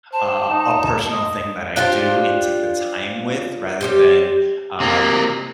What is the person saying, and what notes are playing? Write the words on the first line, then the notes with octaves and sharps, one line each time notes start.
uh, a personal thing that I do and take the time with rather than, uh,
C5 A5
D#4
D#5
D4 F4 G4 C5
G3 C4 G4
C3 A#3